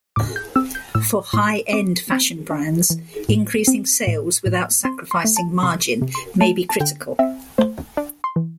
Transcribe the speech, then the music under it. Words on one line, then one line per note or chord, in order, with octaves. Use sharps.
For high-end fashion brands, increasing sales without sacrificing margin may be critical.
A2 D6
G6
C4 E6
G6
A2 E6
A2 C6
C4 D6
C4
D4
E3
A2
C4
A2
A2
C4 C6
C6
A3
A5
C3 C6
C3
C6
A3 A5
A5
D3 G5
C4 E5
A3 C5
D4 D5
C6
E3